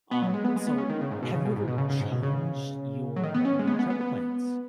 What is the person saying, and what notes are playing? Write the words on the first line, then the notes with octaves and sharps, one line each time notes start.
Um, so have you ever changed your, uh, travel plans
B3
F#3
G#3
B3
G#3
B3
C#4
D#3
C#3
G#2
B2
C#3
B2
G#2
B2
C#3
C#3
G#2
B2
C#3
F#3
D#3
B3
C#4
G#3
B3
G#3
B3
B3
B3